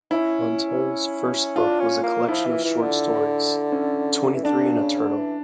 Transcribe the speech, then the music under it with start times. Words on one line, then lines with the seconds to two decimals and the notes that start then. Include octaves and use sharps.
Montero's first book was a collection of short stories, "Twenty-Three and a Turtle".
0.11 C#4 E4
1.56 D4 F4
1.80 C#4
2.03 A#3
2.28 F3 E4
2.46 E3
2.65 E3
2.82 D3
3.72 C#4
4.35 E3
4.44 D3 D4
4.62 A#2
4.80 C#3
4.99 D3
5.17 E3